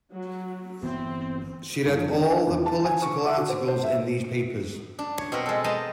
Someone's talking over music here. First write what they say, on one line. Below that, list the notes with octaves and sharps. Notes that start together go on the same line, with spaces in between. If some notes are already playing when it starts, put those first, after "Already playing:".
She read all the political articles in these papers.
F#3
G1 E3 B3 C4
G2
F2
D4
E2
A5
G#5
C#6
E5
F#4
C5
C5
E5
D4
C#5
B2 C4 A#4 B4
G#3 A4
B4 D#5 G5 A5 A#5 C6